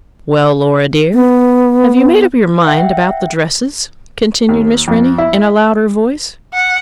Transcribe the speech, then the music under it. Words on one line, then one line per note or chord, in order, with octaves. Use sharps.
"Well, Laura dear, have you made up your mind about the dresses?" continued Miss Rennie, in a louder voice.
B3
E5 F#5 G5
D#2
F2
E4
F#5